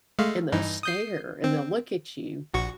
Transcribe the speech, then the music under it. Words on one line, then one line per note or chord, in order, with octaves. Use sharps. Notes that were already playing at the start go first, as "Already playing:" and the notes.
and they'll stare, and they'll look at you.
G#3 A3 F5
G2 E3 D#4
D#6 G6 C7
C4
A#1 F#4 C#6